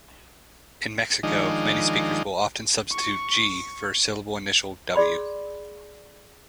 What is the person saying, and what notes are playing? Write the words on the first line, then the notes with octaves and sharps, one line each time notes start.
In Mexico, many speakers will often substitute "g" for syllable-initial "w".
D#3 F3 G#3 D4 D#4
C#6
G#4 D5 B5 C6